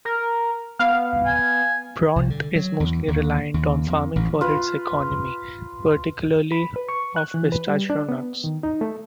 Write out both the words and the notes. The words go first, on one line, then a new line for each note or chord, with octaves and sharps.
Bronte is mostly reliant on farming for its economy, particularly of pistachio nuts.
A#4
B3 F5
G#5
C2
D3
F#3
E2
D#2
D#2
F2
A1
F4 B4
B5
B4
C#6
F#6
E3
B4
G3
D4
B3
D#3
D#4
A3